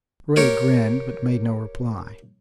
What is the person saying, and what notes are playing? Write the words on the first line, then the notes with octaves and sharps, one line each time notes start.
Ray grinned, but made no reply.
G4 A#4 C#5